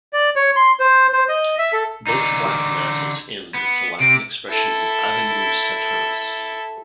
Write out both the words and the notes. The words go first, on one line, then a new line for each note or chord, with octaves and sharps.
Both Black Masses end with the Latin expression Avenue, Satanas!
D5
C#5
C6
C5
C5
D#5
E5
A4
D3 D#4
B3
C3 D7
E4 A4